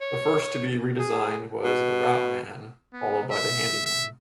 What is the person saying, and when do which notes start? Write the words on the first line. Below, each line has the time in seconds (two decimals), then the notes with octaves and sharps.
The first to be redesigned was the Routeman, followed by the Handyman.
0.01 C#5
0.99 G#4
1.64 B2
2.93 B3
3.31 E5
3.86 E5